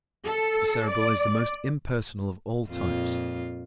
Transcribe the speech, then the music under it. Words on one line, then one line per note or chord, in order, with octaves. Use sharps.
The Cerebral is the most impersonal of all types.
A4
D5
F2 A#2 F4